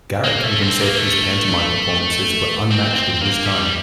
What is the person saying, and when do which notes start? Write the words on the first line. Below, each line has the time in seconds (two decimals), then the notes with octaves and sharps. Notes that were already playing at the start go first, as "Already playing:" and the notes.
Garrick even said his pantomime performances were unmatched in his time.
0.24 A#3
0.44 A3
0.62 C4
0.80 A#3
0.98 A3
2.71 C4
2.96 C4
3.21 A#3
3.46 G3